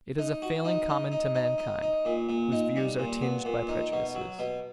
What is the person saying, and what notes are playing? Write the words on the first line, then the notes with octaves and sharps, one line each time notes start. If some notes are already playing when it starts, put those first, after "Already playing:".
It is a failing common to mankind, whose views are tinged by prejudices.
D#4
F#4
D#4
D#4
D#4
D#4
D#4
D#4
A#2
A#2
D#4
G3
A#2
B3
A#2
D#4
B2
F#3
B2